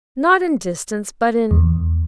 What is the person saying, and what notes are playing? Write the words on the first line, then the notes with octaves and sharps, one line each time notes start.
'Not in distance, but in--.
E2